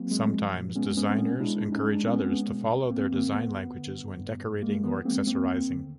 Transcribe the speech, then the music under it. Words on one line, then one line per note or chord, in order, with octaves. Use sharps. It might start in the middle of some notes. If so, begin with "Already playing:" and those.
Sometimes, designers encourage others to follow their design languages when decorating or accessorizing.
Already playing: F#3 A#3 C4
G#3
F3
A#2
G#3 B3 C#4
G#3 B3 C#4
C4
A#2 B3 C#4
G#3 D4 E4
C2
C#4 D#4
G#3
D4
C2 B3 C#4
C4
G#3 B3 C#4
B2
D2
D2 A#3 C4
D3 A#3 C4
D2 B3
D2
D3
G2
G2
G2
G#3 A#3
E3 B3
G#3 A#3 C4
D#2 A#3 C4
D#2
D3